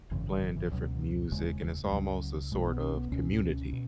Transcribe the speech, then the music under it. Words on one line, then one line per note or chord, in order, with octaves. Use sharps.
playing different music, and it's almost a sort of community.
G#1 F#2 C#3 E3
D#3
D#3
E3
C#2 B2 F#3
E1 D#2 C#3 G#3
G#3
C#2 C#3 F#3
B1 B2 G#3
B3
C#4
B3
C#2 B2 C#4
B2